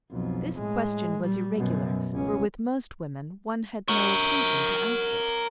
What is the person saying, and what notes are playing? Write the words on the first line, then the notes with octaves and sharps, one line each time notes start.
This question was irregular, for with most women one had no occasion to ask it.
B1 F2
A2 G#3
A#2 G3
F#2 B2
C#2 C#4
A#4 C#5